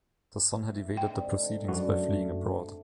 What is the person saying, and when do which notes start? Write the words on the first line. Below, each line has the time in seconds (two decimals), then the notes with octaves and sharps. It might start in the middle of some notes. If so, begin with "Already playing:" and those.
The son had evaded the proceedings by fleeing abroad.
0.55 E5
0.97 D#5 G5
1.09 G#2 D3 C4
1.68 F#2 D3 A3 F#4 D5